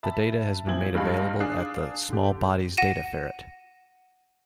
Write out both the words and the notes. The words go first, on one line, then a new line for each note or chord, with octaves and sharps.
The data has been made available at the "Small Bodies Data Ferret".
E5 A5 B5
A#2 F3 C4 E4 G#6 F#7
G2 G3 G#3 D#4 F5 B5
D4 G#4 F5 D#6 F#6 C7
D3 G4
F#5 A#6 D#7 E7